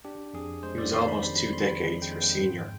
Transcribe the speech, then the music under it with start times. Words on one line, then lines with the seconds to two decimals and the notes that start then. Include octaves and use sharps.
He was almost two decades her senior.
0.05 D4 G4
0.34 F2 G#4
0.63 G#3 C5
0.78 D5
0.93 D#3 C6
1.08 B5
1.23 F2 B5
1.38 B5
1.52 F2 C6
1.68 B5
1.82 G#3
2.02 G5
2.12 G#3
2.22 G5
2.41 G#2